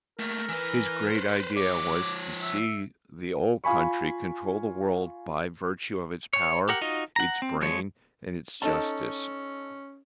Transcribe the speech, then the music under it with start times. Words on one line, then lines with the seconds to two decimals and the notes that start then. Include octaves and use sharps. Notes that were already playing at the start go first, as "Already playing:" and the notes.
His great idea was to see the Old Country control the world by virtue of its power, its brain and its justice.
0.19 A3 A#3 A#4
0.49 E3 B4
1.10 B4 C5
1.57 F3 C#5 D6
2.42 E5
3.64 F4 F5 G#5 B5 C#6
6.33 C#5
6.69 G4 A#4 F#5
6.81 D#4 F4 F#4 D#5
7.16 F#5 A#5
7.42 C4
7.61 F3 G#3 C#5
8.62 C#4 D#4 A4 A5